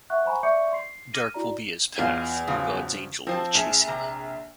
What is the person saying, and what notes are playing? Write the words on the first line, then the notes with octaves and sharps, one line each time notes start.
Dark will be his path and God's angel will chase him.
E5 F#5 C#6 F#6
C5 F#5 G#5 A#5 B5 C#6
D5 E5 C#6 D6 G6 C#7
C6 C7
D6 F6 A#6 D#7
E4 F#4 D5 A#5
E2 F4 D#5
C#3 F3 F#3
F3 C4 C5 A5
A#1 G#4
C3 A#5